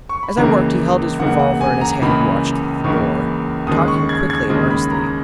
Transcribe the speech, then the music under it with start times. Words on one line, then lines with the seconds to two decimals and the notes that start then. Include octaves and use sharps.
As I worked, he held his revolver in his hand and watched the door, talking quickly and earnestly.
0.09 C#6
0.23 B5
0.37 C#2 C#3 E3 A#3 A#5
1.20 C#2 C#3 E3 A#3 F#5
1.39 F#5
1.61 G#5
1.81 A#5
2.01 C#2 C#3 E3 A#3 B5
2.84 C#2 C#3 E3 A#3 C#6
3.67 D#2 C#3 G#3 D#6
3.88 C#6
4.09 G#6
4.30 G#6
4.50 D#2 C#3 G#3
4.70 B5
4.91 A#5